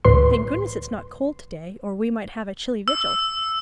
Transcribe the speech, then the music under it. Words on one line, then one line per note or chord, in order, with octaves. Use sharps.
Thank goodness, it's not cold to-day or we might have a chilly vigil.
D2 A2 B4 C6
E6